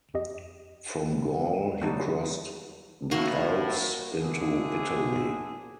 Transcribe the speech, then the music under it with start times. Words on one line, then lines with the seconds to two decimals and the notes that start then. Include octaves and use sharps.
From Gaul he crossed the Alps into Italy.
0.14 F2 G4 D#5
1.81 F#3 G3 D#4 F#4 A4
3.11 A2 A#3 F#4
4.19 A#1 D3 G#4